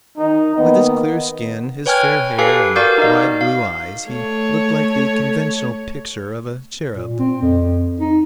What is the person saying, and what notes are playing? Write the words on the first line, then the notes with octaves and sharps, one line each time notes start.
With his clear skin, his fair hair and wide blue eyes he looked like the conventional picture of a cherub.
D#3 D#4
D#3 A#3 B3 D#5
B4 C#5 G5 G#5 F6 G#6
G4 A4 B4 F5 G#5 C7
F#4 A#4 D5 F5 D6 G6
D#4 D#5 F5
F5
A3 C#5
A#2
C4
F2
D#4